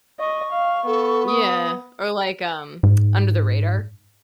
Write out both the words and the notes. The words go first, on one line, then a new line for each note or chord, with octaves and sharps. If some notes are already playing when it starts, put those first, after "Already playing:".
Yeah, or like, um, under the radar.
D#5 C#6
F5
B3 A4
D#6
G#2